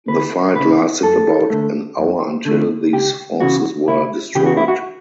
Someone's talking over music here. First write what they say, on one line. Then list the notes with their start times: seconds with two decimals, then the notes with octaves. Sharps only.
The fight lasted about an hour until these forces were destroyed.
0.08 D2 B4
0.55 E3 B4
0.59 C#3
1.03 F#2 A4
1.50 D3 A3
1.98 F#2
2.45 D3 A3
2.93 C#2 G4
3.40 C#3 E3 B3 F#4
3.88 C#2 E4
4.35 C#3 E3 B3 G4
4.46 F#4
4.57 E4
4.68 F#4